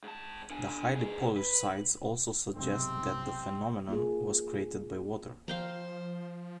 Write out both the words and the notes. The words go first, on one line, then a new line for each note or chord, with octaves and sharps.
The highly polished sides also suggest that the phenomenon was created by water.
G#2 A5
D3 G#5
G2 G#4
B4
B1 G#2 C3 C4
A#3 F4 G#4
F3 C5 F5 G5 A#5